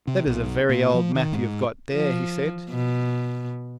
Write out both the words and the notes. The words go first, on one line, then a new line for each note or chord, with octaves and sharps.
"That is a very old map you have got there," he said.
C3
B1
A#2
F3
D#3
G#2
F3
B2